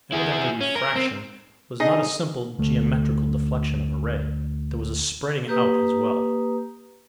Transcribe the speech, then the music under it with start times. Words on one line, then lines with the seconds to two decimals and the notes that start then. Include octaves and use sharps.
Evidently refraction was not a simple geometrical deflection of a ray, there was a spreading out as well.
0.13 E4 G#4
0.61 C#4
0.75 A#4
0.96 C4
1.80 D4 D#4 G#4 D#5
2.58 D2 A3
5.48 A#3 G4 B4 A#5 D#6